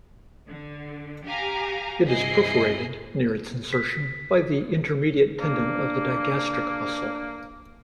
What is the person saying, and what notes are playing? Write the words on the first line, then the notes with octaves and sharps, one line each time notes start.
It is perforated, near its insertion, by the intermediate tendon of the digastric muscle.
D3
G4 F5 G#5 A#5
G2 C3 E4 G#4 D#5 C7
B6
A#3 D4